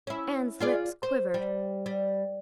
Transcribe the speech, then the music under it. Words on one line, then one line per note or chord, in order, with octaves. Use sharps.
Anne's lips quivered.
C#4 E4
F4 G#4 D5
C5
G3
G3